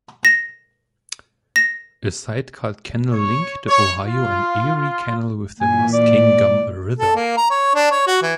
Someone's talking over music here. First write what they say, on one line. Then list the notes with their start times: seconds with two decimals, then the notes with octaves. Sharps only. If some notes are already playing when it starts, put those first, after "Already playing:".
A side cut canal linked the Ohio and Erie Canal with the Muskingum River.
0.25 A#6
1.56 A#6
3.13 C#5
3.67 C#5
4.05 F4
4.73 F4
5.61 A#2 E3 G#5
5.94 D5
6.99 A4
7.16 A#3
7.37 A#5
7.50 C#5
7.75 D4
7.91 C#5
8.07 F#4
8.22 E3